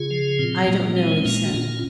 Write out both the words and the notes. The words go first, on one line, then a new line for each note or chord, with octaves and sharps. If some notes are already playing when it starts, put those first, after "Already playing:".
"I don't know," he said.
Already playing: C#3 F4 G#4
F3
A#2 C4
A#2 A#3
A#3
G#3 C4
C4
A#2 A#3 C#4
F#4
A#2 C#4 F4